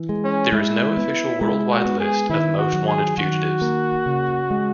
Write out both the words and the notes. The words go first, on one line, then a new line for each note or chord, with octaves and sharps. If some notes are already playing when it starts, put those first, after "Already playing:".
There is no official worldwide list of most wanted fugitives.
Already playing: E3
G#3
C#4
G#3 E4
B3
G#3 E4
F#4
B3
G#4
D#3 E4
F#4
F#3
G#4
D#3 F#4
A#3
C#3
G#3